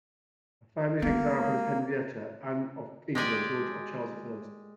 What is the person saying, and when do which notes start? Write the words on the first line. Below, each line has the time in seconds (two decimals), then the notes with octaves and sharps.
A famous example is Henrietta Anne of England, daughter of Charles the First.
1.02 G#3 A#3 B3
3.15 G#3 G4 D5 G#5